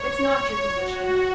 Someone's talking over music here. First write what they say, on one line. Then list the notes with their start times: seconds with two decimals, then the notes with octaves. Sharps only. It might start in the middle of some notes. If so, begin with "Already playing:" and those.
It's not your condition.
Already playing: C#5
0.73 F#4